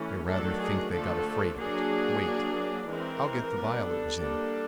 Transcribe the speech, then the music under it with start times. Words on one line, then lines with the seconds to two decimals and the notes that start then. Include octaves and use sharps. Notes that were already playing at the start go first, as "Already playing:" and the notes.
I rather think they got afraid of it. Wait, I'll get the vial it was in.
Already playing: E3 A3 C#4
0.27 D#3 F#3 A3 D4 A4
0.60 G#4
0.92 D3 F3 A3 A4
1.58 F#3 A#3 D4 G#4
2.23 F#3 A#3 D4
2.88 E3 G#3 C4 A#4
3.54 G3 B3 D4
3.86 A4
4.19 G3 A#3 D4